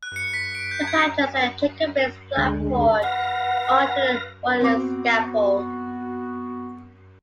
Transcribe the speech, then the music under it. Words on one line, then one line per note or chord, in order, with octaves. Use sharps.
The patriots and Jacobins’ blood poured onto the royalist scaffold.
F#6
C#7
B6
D7
G6
G#6
D2 D3 G#3
B4 F5 F#5 A#6
B3 C4 F#4 D6